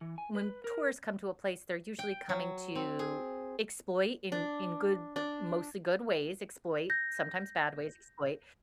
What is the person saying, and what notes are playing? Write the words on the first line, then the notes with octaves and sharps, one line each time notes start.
when tourists come to a place, they're usually coming to exploit in in good, mostly good ways, exploit sometimes bad ways, exploit,
E3
G#5
B4
A#4
G5
F#3
C4
G#4
D4
D4
G6 A#6